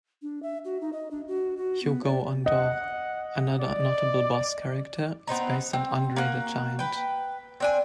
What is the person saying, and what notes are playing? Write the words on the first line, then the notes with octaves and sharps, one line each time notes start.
Hugo Andore, another notable boss character, is based on Andre the Giant.
D4
E5
F#4
D#4
D#5
D4
F#4
F#4
B3
D5
D#5 F#5
D5
B3 C4 D#4 A#5
C4
A#3 F#4
B4 G5
C4 D4 G#5